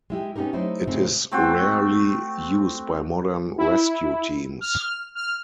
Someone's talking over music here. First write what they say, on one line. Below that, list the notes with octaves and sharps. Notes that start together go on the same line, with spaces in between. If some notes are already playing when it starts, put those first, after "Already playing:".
It is rarely used by modern rescue teams.
G#3 E4 G4
B3 C#4 D#4 G4 A#4
F#3 A3 D#4 E4 C5
A2 C#3 G#3 A3 C4
A3 C4 F#4
E4
F6
F6